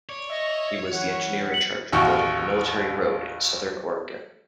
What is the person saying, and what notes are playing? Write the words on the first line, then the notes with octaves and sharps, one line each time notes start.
He was the engineer in charge of building the military road in southern Oregon.
C#5 D5
D#5 E5
E3 C#4 F#5
B6 C#7 F#7
A1 D#2 F#4 C#6